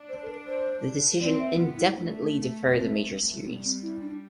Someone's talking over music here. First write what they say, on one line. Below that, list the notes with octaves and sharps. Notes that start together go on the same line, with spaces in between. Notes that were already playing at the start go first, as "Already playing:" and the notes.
The decision indefinitely deferred the Major Series.
Already playing: D4
C5
A4
B4
C5
C4 D5
E5
B3 F4
E4
A3 D4
C4
G3 B3
C4
E4
D4